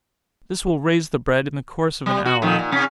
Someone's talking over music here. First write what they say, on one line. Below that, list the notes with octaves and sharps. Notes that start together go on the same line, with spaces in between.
This will raise the bread in the course of an hour.
G3
F#4
F2 D#3
A#2
C3 C#4